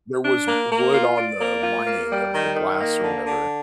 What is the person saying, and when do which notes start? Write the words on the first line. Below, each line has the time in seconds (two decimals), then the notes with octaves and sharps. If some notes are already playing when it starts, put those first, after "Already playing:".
there was w wood on the lining of the glass or whatever,
0.25 D4
0.48 A#3
0.72 A#3
0.94 F4
1.18 D5
1.41 A#3
1.63 F4
1.87 A#3
2.11 G3
2.34 D#3
2.56 D#3
2.80 A#3
3.03 D3
3.26 D3